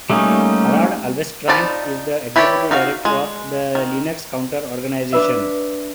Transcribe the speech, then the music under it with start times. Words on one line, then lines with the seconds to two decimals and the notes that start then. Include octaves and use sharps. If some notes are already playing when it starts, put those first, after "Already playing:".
Harald Alvestrand is the Executive Director of the "Linux Counter Organization".
0.10 G3 A3 A#3 C#4 D#4
1.48 F3 D#4 D5 A5 B5
2.36 E4 G4 B4 C#5 D5
2.71 D#4 F#4 F5
3.05 G#3
3.75 D#3
5.12 D4 B4 E5